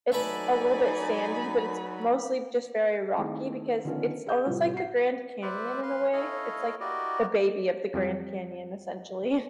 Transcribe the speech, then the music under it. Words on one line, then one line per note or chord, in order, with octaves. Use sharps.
it's a little bit sandy, but it's mostly just very rocky because it's almost like the Grand Canyon in a way. It's like the baby of the Grand Canyon, essentially.
F#3 A3 D#4 B4 D5 G#5 B5
D#3 A3 C4 E4 G#4
D3 D#3 F3 B3 C#4
G#4 G6
A2 C3 F3 G3 A3 F4
F#4 C7
B4 C5 D5 E5
B4 F5 C6
E4 A4 C#5 D#5 F5
E4 F#4 G4 A#4 D5 D#5
F2 F3 G3